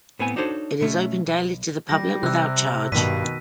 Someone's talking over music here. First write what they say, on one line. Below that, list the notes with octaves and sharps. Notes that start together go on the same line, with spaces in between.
It is open daily to the public without charge.
A2 B3 C4 G#5
D4 D#4 F#4 A4 C5 C#5
B2 A3 C#4
B1
G3 A#6
C3 E6 F#6
G2 B2 D#3 B6 D#7